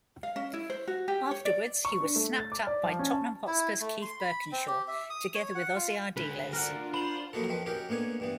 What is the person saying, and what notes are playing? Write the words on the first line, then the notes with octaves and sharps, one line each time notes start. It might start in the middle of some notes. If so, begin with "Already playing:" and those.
Afterwards, he was snapped up by Tottenham Hotspur's Keith Burkinshaw together with Ossie Ardiles.
F5
C#4
E4
C5
F#4
G4
C#5
D5
C#6
D4
A3
A6
D6
D5
F3
C#4
A5
E4
A3
C6
B5
C4
G4
E5
D#6
C#5
F#5
F4
D2 B4
D4 F4 A#4 F#5
C5 B5 F#7
F3 F#3 A#3 D#4 F#4 A4
F2 D#3 F3 B4
C#4 D#4 F#4 G4 A#4
D2 A#3 B3 C#5 G#5
G2 E3 B3